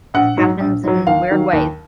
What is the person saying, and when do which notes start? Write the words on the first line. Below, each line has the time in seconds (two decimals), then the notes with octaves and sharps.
happens in weird ways.
0.14 A#1 F#5
0.37 G#2 F#3
0.60 A#1
0.84 G#2 F#3
1.07 D#2 F5
1.30 D#3 F#3
1.53 D#2